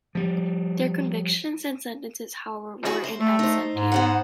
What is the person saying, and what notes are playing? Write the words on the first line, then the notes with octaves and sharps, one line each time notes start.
Their convictions and sentences, however, were "in absentia".
F3 G3
E4 F#4 G#4
C5
A3
D#4 C5
G#2
B3 C5 F#5